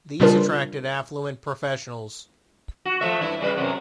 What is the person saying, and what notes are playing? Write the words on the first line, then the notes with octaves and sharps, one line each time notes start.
These attracted affluent professionals.
A#2 C#3 G3 D4 F4 A#4
F#4
F3 A3 E5
G2 E4
C#3 G3 B4
F#2 C3 F#3